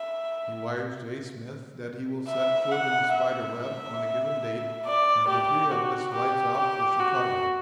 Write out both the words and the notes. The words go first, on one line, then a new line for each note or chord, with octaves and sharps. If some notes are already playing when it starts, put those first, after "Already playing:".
He wires J. Smith that he will set foot in the spider web on a given date; and the three of us lights out for Chicago.
Already playing: E5
E5
F#5
E5
D5
G4
F#4
G4
G4
F#4